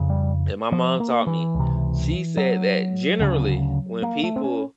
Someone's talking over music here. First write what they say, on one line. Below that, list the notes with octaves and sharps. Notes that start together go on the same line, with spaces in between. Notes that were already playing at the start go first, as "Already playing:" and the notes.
that my mom taught me. She said that generally when people
Already playing: F2 C#3
G3
F3
A#3
E3
C#2 C3
F#3
D2 C#3
A#3
A3
C4
C#4